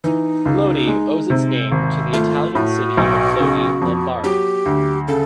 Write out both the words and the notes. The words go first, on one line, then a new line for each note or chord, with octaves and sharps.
Lodi owes its name to the Italian city of Lodi, Lombardy.
E3 D#4
C#2
G#3
C3
G#1
A3 F4
A2 F#4
B1
C#3
F2
F#3 G4
D2
C#3 A4